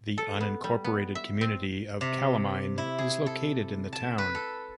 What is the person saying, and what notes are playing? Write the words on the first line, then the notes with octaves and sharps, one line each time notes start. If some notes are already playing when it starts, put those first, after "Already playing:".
The unincorporated community of Calamine is located in the town.
A4
B3
G3
B3
E5
C4
C3
E4
G#4
A4
A5
B4
A4